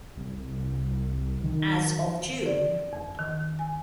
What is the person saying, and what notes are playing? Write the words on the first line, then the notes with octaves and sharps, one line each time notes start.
As of June.
C2
D#3
D5
F2
D#3
G#5